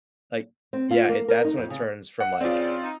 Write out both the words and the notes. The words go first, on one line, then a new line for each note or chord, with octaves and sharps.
like Yeah, it that's when it turns from like
C4
F4
A#3
A#4
D#4
F2
C#3
F#5
C#3 C4 F4 D5
D#4